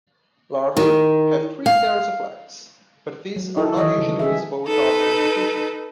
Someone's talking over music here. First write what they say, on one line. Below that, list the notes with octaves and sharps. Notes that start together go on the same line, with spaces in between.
Larvae have three pairs of legs, but these are not usually visible without magnification.
D#3
F5
F#3
D#4 E4 A4
D#3 E3 C#5 D#5
C#3
C#4 G#4 E5
D#4 A4 B4